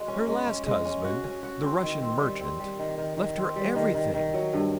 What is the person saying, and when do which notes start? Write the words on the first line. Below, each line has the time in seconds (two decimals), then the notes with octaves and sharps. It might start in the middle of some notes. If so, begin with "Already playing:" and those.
Her last husband, the Russian merchant, left her everything.
Already playing: G#3 F#4
0.08 C#4
0.28 G#3
0.47 C#4
0.66 G#3
0.85 C#4
1.04 F#4
1.24 C#4
1.43 F#4
1.62 C4
1.83 D#3
2.02 C4
2.20 G3
2.40 C4
2.60 G3
2.79 D#3
2.98 D#3
3.17 D#3
3.37 C4
3.56 G3
3.76 D#3
3.94 D#3
4.14 D#3
4.34 F#3
4.53 G2